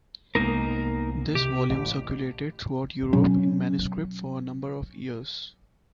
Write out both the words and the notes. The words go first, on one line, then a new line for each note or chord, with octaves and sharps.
This volume circulated throughout Europe in manuscript for a number of years.
C2 G#3 A#3 B3 D#4 A#4
C3 G4
A1
B2 F#3 C#4